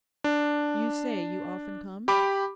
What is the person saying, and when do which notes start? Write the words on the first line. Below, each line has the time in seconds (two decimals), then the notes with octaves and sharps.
'You say you often come?'
0.24 D4
2.08 G4 B5 D6